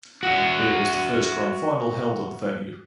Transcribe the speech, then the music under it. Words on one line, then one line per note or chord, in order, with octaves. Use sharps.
It was the first Grand Final held at the venue.
F#4 E5